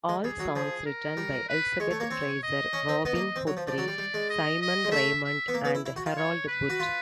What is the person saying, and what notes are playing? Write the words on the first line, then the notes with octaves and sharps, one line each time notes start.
All songs written by Elizabeth Fraser, Robin Guthrie, Simon Raymonde and Harold Budd.
G#3
G3 G#4
F#3
F3 G#4
A#4
G3
B4
G#3 C#5
A3
A#3
C4
D#5
C#4
C4
B3 D#5
A#3
C4
F#3
F3
F3 D5
F#3
G3
G3
G#3
D#5
D#5
G#3
A3 E5
E5
B3
A#3
B3
E4
E4
F#4
F4
C#5
B4
F#4
F4